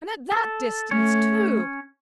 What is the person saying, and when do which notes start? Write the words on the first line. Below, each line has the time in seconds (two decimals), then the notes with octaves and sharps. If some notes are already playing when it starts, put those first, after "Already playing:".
And at that distance, too!
0.32 A4
0.91 A3 C#4 C#5